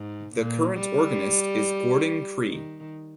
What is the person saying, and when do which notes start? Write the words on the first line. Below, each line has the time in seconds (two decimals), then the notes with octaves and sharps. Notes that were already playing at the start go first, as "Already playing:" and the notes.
The current organist is Gordon Cree.
Already playing: G#2
0.35 A#2
0.78 G3
2.47 D#3